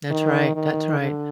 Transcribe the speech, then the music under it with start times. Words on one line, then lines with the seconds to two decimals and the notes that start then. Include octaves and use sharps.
That's right, that's right.
0.10 D#3
0.55 D#3
1.00 D3